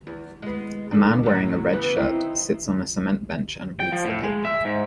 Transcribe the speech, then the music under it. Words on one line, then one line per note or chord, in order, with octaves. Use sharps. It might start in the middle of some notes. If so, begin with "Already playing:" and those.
A man wearing a red shirt sits on a cement bench and reads the paper.
E2
G#3 B3
D4 A4
A2 F#3
C#3 E3 B3
C4 D#4 E4
G5
F3
A2
G#3
E5
G#2